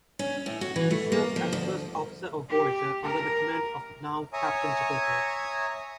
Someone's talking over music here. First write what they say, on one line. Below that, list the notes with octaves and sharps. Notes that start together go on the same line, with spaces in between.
He serves as First Officer of "Voyager", under the command of now-Captain Chakotay.
C#4
A2
F#4
E3
A3
A#3
F3
D2
G4
A#4
C#5 E5 G#5 A#5 C#6 D#6